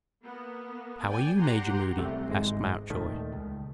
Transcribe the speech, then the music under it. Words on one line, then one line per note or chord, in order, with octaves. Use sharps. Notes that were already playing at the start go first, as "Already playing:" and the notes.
"How are you, Major Moody?" asked Mountjoy.
A#3 B3
D5 G5 G#5
G4 F#5 A#5 C6
C2 C3 A3
G#1 G#2 G#3
D#2 A#2 D#3 A3
C#2